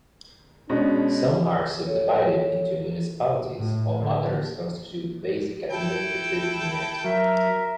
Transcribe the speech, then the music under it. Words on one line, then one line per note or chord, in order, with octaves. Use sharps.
Some are subdivided into municipalities, whiles others constitute the basic administrative unit.
B2 G#3 C#4 D4
A4 C#5
A2
D3
E4 A4 G5
F#3 A#4 E5